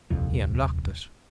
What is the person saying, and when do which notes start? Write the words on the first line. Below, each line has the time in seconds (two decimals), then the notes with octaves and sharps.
He unlocked it.
0.10 D#1 C2 F2